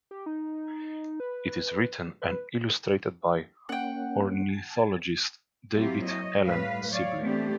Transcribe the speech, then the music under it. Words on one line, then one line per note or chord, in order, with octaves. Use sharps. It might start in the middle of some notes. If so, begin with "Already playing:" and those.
It is written and illustrated by ornithologist David Allen Sibley.
G4
D#4
B4
B4
A#3 C#4 F#5 G5
G#5 A5
F#3 A#3 C4 E4 F4 G4
C#5 D#5
A2 G3 B4 F5
F#3 C#5 D5 F5
E3 A3 B3 C4 D4 G4